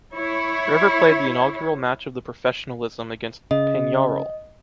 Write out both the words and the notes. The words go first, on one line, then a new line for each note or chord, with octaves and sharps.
River played the inaugural match of the professionalism, against Peñarol.
E4 C#5
C#3 D#5